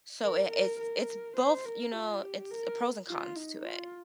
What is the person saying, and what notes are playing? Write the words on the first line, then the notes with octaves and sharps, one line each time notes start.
so it it's it's both you know. It's pros and cons to it.
A#4
A#4
A#4
C5
A#4
F4
G4
A#4
F4
D#4
F4